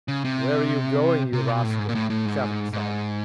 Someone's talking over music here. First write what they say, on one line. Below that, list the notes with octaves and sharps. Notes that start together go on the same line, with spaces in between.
"Where are you going, you rascal?" shouted the sergeant.
C#3
C3
C3
B2
A2
G#2
A#2
A2
A2
G#2
G#2